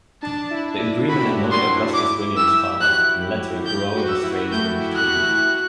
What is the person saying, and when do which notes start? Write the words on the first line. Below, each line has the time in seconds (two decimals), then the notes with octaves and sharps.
The agreement annoyed Augustus William's father and led to a growing estrangement between them.
0.23 D4 A5
0.51 E4
0.71 D4
0.80 E4
1.08 F#4 B5
1.17 G4
1.24 F#4
1.33 G4
1.40 F#4
1.51 F#4 C6
1.94 E4 D6
2.37 G4 E6
2.80 E4 F#6
2.90 F#4
2.99 E4
3.66 G4 G6
3.94 F#4
4.09 E6
4.23 E4
4.52 A3 G6
4.80 E4
4.95 F#6
5.10 F#4
5.38 F#4